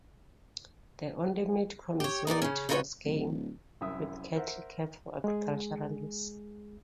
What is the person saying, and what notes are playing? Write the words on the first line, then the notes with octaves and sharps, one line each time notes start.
The only meat consumed was game, with cattle kept for agricultural use.
G4 C#5
D#4 A#4 B4 D5
C#3 C#4
D#4 F4 F#4 A#4 B4 C#5
D1
C2 F#2 E5 D#6
A#4 C5 E5 F#5
G#3 G#4